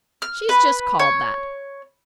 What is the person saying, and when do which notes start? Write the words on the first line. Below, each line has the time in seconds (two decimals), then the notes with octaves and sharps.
She's just called that.
0.22 F6
0.49 B4
0.99 C#5